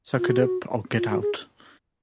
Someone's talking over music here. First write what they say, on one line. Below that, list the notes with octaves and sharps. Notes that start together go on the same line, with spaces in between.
Suck it up, or get out.
F4
F#4
G#4
F#4
F4
F#4
G#4